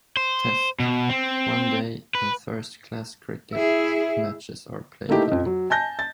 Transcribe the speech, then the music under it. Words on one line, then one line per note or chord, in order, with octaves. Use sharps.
Test, One Day and First class cricket matches are played here.
C5
B2
C4
B4
E4 G#4 E5
A3 A#3 D#4 E4 G4
F2 D#5
F#3
G#5 A5 G6 A#6
A6